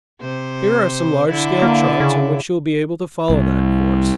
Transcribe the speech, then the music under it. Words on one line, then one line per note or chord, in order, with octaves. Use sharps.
Here are some large-scale charts on which you'll be able to follow that course.
C3 C5
D3 E4
A#3
C#3
C2